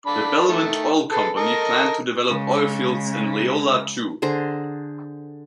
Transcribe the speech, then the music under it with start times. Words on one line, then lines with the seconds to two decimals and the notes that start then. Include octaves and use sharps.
The Belmont Oil Company planned to develop oil fields in Leola, too.
0.07 D3 D4 B5
0.48 D#3 A3
1.11 G#4 A4 B4
1.37 A4 A#4 D#5
2.28 C#3 G#3
4.22 D3 G#4 C5 A#5